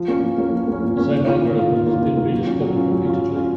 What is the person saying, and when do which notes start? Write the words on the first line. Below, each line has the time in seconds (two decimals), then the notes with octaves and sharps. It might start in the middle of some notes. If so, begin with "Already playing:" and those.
The same algorithm has been rediscovered repeatedly.
Already playing: F3
0.08 A#3 C#4
0.23 F3
0.38 A#3 C#4
0.53 F3
0.68 A#3 C#4
0.82 F3
0.97 A#3 C#4
1.13 D#3
1.27 A#3 F4
1.42 D#3
1.56 A#3 F4
1.72 D#3
1.87 A#3 F4
2.02 D#3
2.17 A#3 F4
2.32 F#3
2.46 C#4 F4
2.61 F#3
2.76 C#4 F4
2.91 F#3
3.05 C#4 F4
3.20 F#3
3.36 C#4 F4